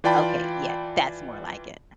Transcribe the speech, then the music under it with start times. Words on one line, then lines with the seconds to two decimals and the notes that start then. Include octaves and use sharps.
Okay, yeah, that's more like it.
0.04 E3 F4 D5 G5 A5 B5